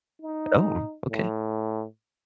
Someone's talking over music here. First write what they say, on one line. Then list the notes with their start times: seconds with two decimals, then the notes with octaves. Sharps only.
Oh, okay.
0.22 D#4
1.09 A2